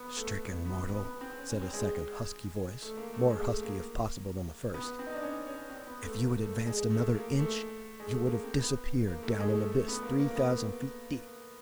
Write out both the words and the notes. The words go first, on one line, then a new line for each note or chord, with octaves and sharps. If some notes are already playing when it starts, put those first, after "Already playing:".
"Stricken mortal," said a second husky voice, more husky, if possible, than the first, "if you had advanced another inch, you would have disappeared down an abyss three thousand feet deep!"
Already playing: B3
A3
B3
B3
B3
C4
C#4
C#4
C4
G#3
A3
A#3
A3
G#3
A3
A#3
B3
C4
D#4
D4
C#4
C#4
C4
B3
A3
A#3
A3
G#3
A3
A#3
A3
G#3
A3
A#3
C4
B3
A#3
A3
G#3
A3
A3
B3
A#3
A#3
A#3
B3